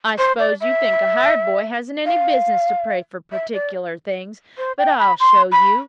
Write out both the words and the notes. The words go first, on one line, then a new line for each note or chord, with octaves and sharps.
I s'pose you think a hired boy hasn't any business to pray for particular things, but I'll show you.
C5
D5
E5
F5
E5
D5
C5
G5
B5
C6
B5